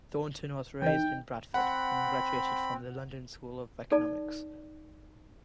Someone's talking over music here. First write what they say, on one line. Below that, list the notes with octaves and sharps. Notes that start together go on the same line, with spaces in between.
Thornton was raised in Bradford, and graduated from the London School of Economics.
E2 D#3 G5
C4 F#5 B5
D#4 A4 D5 A5